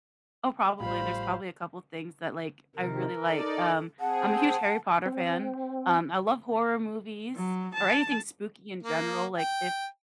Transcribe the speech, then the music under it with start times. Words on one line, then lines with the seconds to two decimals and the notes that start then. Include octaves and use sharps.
Oh, probably, there's probably a couple of things that, like, I really like. Um, I'm a huge Harry Potter fan, um, I love horror movies or anything spooky in general, like, if
0.80 A1 F3 G3 C5 F5 B5
2.75 C3 D#3 A#4
3.26 D#4 A4 D5
4.00 C4 G#4 F#5 A5
5.06 C4
7.36 F#3
7.75 A5
8.83 A#3
9.38 G5